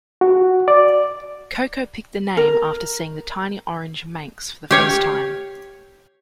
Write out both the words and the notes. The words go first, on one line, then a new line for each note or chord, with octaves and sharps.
Koko picked the name after seeing the tiny orange Manx for the first time.
F#4
D5
A#4
G4 C#5 F5